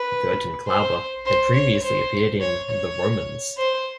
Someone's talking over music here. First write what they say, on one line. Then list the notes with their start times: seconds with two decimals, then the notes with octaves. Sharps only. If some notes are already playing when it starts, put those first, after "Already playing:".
Gertan Klauber had previously appeared in "The Romans".
Already playing: B4
0.67 C5
1.26 C5
1.54 C#5
1.83 C5
2.41 C#5
2.71 C#5
3.57 C5